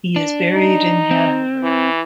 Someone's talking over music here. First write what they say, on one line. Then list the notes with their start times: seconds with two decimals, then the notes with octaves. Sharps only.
He is buried in Hanover.
0.16 D4
0.54 D#4
1.11 C4
1.63 E3